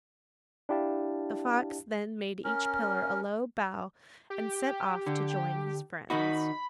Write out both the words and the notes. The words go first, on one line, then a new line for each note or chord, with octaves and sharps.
The fox then made each pillar a low bow, and set off to join his friends.
D4 E4 G4 F5 A5
C#4 A#4
G4
D3
D#3 D#4 F#4 B5